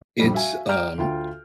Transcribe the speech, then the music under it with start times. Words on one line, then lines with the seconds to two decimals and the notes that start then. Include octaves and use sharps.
it's, um
0.19 A#1 F2 G3
0.33 F#4 E5 F5 G#5
0.68 D5 G5 A#5 F6 G6 D7
0.98 D2 F4 F5 G5